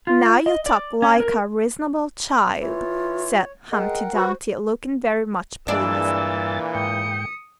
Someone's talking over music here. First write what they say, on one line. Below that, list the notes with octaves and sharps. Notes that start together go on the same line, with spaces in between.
'Now you talk like a reasonable child,' said Humpty Dumpty, looking very much pleased.
F4
D#5
D5
C#4
A#4
E3 F4 C#5
G#3 A#4 F#5 G5
F#4 B4 C5
G2 A#2 E3 G#3 D4 E6 A6
G#2 G5 D#6 C#7